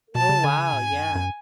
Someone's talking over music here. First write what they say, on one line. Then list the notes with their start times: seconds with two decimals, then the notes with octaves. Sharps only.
Oh, wow, yeah.
0.15 B2 A5
0.29 C#3
0.44 D3 G#5
0.58 C#3
0.73 A2
0.82 G#2
0.92 F2
1.01 G2
1.11 F2
1.15 F#2